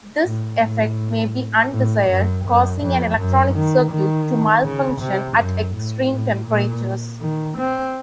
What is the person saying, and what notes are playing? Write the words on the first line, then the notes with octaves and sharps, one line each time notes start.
This effect may be undesired, causing an electronic circuit to malfunction at extreme temperatures.
A2
A2
A2
F#2
F#2
F2
F#2
D#3
D#3
C#3
C3
F#2
A2
A2
A#2
D#3
C4